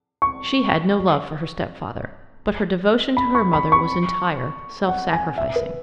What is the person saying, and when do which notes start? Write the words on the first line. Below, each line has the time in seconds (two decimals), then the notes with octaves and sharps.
She had no love for her stepfather, but her devotion to her mother was entire, self-sacrificing.
0.22 C#6
3.17 B5
3.35 C#6
3.53 B5
3.72 C#6
4.89 F#5
5.13 G#5
5.38 E5
5.56 B4